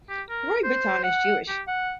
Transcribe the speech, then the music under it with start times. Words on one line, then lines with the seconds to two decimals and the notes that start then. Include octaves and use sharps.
Roy Bittan is Jewish.
0.09 G4
0.29 A#4
0.64 C5
1.04 F#5
1.48 G4
1.67 F#5